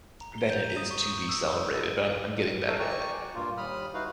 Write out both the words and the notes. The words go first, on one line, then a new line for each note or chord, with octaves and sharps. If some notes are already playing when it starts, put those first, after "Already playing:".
than it is to be celebrated, but I'm I'm getting better at it.
A#5
G7
G6
D#7
D#6
C#6
D#6
E6
D#6
A4 A#4 C#5 E5 F5
D5 G5 G#5 A#5 C#6
F#4
G2 A#2 A#3 F4
D#2 G3 B5 D#6 F6
D#4 E4 F#4 B4 F5